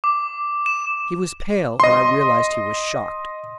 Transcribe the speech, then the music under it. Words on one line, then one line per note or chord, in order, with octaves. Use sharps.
He was pale, and I realized he was shocked.
D6
E7
D#5 C6